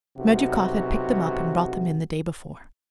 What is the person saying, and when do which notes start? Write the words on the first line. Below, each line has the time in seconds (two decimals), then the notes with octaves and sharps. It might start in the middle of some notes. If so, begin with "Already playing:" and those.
Smerdyakov had picked them up and brought them in the day before.
0.18 B1 C3 F#4